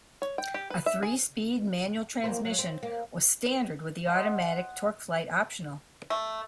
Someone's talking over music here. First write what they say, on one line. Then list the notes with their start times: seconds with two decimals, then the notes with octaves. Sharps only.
A three-speed manual transmission was standard with the automatic TorqueFlite optional.
0.22 C#5
0.38 G5
0.54 G4
0.70 B4
0.86 E5
1.03 G#4
2.24 E2 A#3 C4
2.45 F#3
2.59 C4
2.83 A#3
4.06 C5 D#5 F#5 G#5
6.10 A3